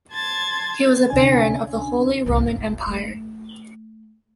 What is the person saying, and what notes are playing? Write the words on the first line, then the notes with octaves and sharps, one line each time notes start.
He was a Baron of the Holy Roman Empire.
A5 C6 G#6 A6
D2 C3 C#4 D4 G#5
C2 G#2
G1
A3